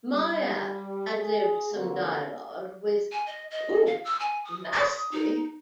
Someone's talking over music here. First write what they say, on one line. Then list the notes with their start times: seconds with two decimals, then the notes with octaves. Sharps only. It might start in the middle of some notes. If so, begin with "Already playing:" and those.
Myatt ad-libbed some dialogue, with Ooh, nasty!
0.12 G3
1.11 G#4
1.72 D3 A#3 C4 F#4 G4 A#4
3.12 G#5
3.26 D#5
3.51 D#5
3.86 F5
4.04 E6
4.20 G#5
4.45 D#6
4.78 D#6
5.12 D#4